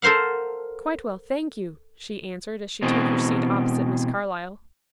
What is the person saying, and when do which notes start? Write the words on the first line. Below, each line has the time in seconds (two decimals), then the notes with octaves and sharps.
"Quite well, thank you," she answered, as she took her seat opposite Miss Carlyle.
0.02 A4 A#4 C5 F5 F#5
2.82 B2 E3 C4